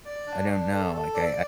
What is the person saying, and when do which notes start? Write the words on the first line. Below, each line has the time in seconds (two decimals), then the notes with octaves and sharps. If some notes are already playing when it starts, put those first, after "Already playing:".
I don't know, like, I
0.05 D5
0.27 D4
0.49 D4
0.72 A4
0.93 A4
1.15 D5